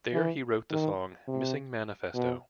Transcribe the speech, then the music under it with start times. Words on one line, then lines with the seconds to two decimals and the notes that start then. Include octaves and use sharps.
There he wrote the song "Missing Manifesto".
0.13 E3
0.71 D#3
1.28 C3
2.14 B2